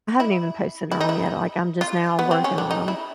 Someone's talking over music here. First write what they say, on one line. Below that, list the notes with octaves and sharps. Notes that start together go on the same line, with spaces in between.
I haven't even posted on 'em yet. Like, I'm just now working on 'em,
E4
E4
D#4
E4
F4
B3
C4
C#4
D4
D#4
E4